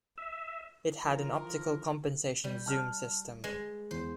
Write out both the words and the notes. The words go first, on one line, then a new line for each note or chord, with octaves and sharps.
It had an optical compensation zoom system.
E5
E3 F3 A#4
G3
A5 F6
G#3 B4
E2 C5